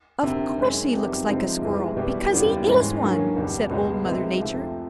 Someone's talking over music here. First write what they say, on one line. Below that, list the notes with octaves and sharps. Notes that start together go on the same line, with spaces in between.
"Of course he looks like a Squirrel, because he is one," said Old Mother Nature.
D2 C3 D#3
F#2 D#3 G#3 C#4
F2 C3 D#3 G3 B3
C3 F3 G#3 C4 D#4
C2 C3 E3 G#3 B3
B2 G3 B3 E4
D#2 C#3 E3 G3 B3
G#2 E3 G#3 C#4
G2 D#3 F#3 A#3 C#4
C#2 B2 G3
C#2 B2 G#3 B3
C3 D#3 G#3 C4
F2 C3 F3 A3